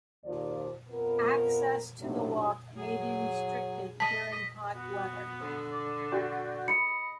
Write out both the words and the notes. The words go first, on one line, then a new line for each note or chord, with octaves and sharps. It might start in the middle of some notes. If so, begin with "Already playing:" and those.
Access to the walk may be restricted during hot weather.
D#2 F3 D5
F2 B3 A#4
A2 C3 E3 F#3 D4 D#4
F#3 G#4
D#5 A5 B6
B3 F#4
D3
D5
F#4 D5 G5
D#5 B5 C#7